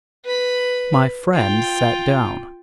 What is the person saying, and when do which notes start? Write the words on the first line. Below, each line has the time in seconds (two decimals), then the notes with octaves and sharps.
My friend sat down.
0.24 B4 B5
1.34 F4 G5